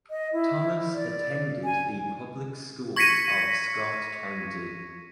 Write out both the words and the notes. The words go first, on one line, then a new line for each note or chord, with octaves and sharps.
Thomas attended the public schools of Scott County.
D#5
E4
D5
G#5
C#6 G#6 A#6 B6 C#7 D#7